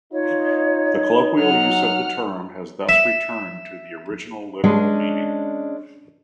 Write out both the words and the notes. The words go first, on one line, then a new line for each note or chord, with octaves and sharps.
The colloquial use of the term has thus returned to the original literal meaning.
D#4 F4 C#5
F#3 F#5 F6
E5
G#3 C#4 D4